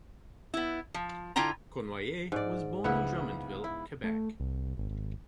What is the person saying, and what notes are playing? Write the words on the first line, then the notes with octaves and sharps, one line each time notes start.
Cournoyer was born in Drummondville, Quebec.
B3 E4
F3
D3 E4 F4 G5 A#5
G#2 D5
C#2 B3 E4 F#5
E4
A3
C2
G#1
G#1